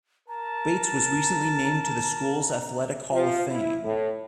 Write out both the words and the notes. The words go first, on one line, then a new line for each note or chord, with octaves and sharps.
Bates was recently named to the school's athletic hall of fame.
A#4 A5 A#5
F3
E4
A2